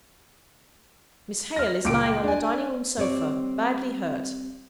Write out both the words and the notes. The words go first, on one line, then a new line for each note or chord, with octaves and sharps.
Miss Hale is lying on the dining-room sofa badly hurt.
F6 A#6
C#2 A#2 D6 D7
D4 G#5
G3 C4 C#5 D5